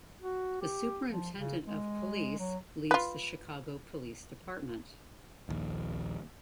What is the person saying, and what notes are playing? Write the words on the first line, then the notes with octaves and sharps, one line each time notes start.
The Superintendent of Police leads the Chicago Police Department.
F#4
G4
F3
C#3
G#3
F#3
F4 B4
A#1 D#2